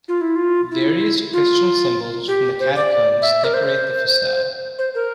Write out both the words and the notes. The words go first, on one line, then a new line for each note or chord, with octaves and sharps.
Various Christian symbols from the catacombs decorate the facade.
F4
E4
F4
E4
F4
G4
C5
D5
E5
A#4
C5
C5
A#4